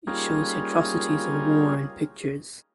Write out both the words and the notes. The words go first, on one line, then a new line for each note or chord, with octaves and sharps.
It shows the atrocities of war in pictures.
G3 A#3 C#4 D#4 F4 G#4